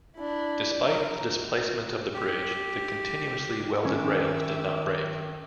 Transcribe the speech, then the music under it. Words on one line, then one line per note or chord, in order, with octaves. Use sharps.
Despite the displacement of the bridge, the continuously welded rails did not break.
D4 E4
A#4
G4
D#3 C#4 E5 D6